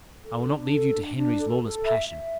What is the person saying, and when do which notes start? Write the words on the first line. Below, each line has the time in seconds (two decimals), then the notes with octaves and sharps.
"I will not leave you to Henry's lawless passion."
0.23 A4
0.46 D4
0.70 A4
0.92 D4
1.16 D4
1.38 A4
1.63 A4
1.85 E5
2.08 E5